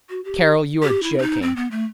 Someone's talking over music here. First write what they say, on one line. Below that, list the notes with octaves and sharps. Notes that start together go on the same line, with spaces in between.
"Carol, you are joking."
F#4
G4
G4
E4
C4
D#4
C4
B3
A3